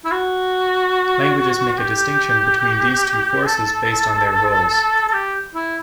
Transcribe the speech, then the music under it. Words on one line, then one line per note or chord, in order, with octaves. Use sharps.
Languages make a distinction between these two forces based on their roles.
E4
F#4
G4
A4
A4
G4
E4